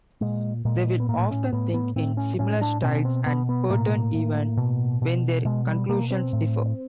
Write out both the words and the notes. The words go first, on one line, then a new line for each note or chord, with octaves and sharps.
They will often think in similar styles and patterns even when their conclusions differ.
A#2 G#3
A#2 G#3
B3
A2 A#3
C#4
A2 B3
B3
A2 C4
C#4
A2 C#4
D4
B2 C#4
C4
B2 B3
B3
A2 A#3
A2
B2
B2
B2 G#3
G3
B2 A#3
C4
A2